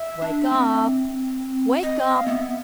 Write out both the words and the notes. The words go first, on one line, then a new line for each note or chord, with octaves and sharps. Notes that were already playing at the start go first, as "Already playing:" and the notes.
"Wake up! Wake up!"
Already playing: E5
D4
C4
D#5
F5
B3 E5